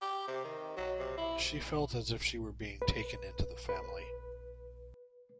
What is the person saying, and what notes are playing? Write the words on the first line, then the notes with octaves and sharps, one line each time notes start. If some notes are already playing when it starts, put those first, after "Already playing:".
She felt as if she were being taken into the family.
G4
C3
D#3
F#3
C3
E4
B4
B4